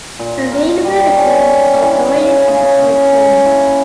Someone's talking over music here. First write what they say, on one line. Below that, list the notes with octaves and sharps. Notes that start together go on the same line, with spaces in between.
Available recordings are provided in the third column.
A#2
A#4
G3
C#4
A#4
E3
C#3
C#3
C#3
A#3
E4